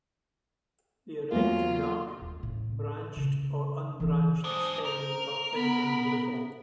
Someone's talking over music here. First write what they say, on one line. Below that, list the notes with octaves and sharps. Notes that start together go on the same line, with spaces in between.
The erect, dark, branched or unbranched stems are thin and brittle.
E2 F#3 A#3 F4
D#2 A3
A2
A#2 C#3
E3 A3
G#2 D4 C5 D#6
A#4 F7
B3 B5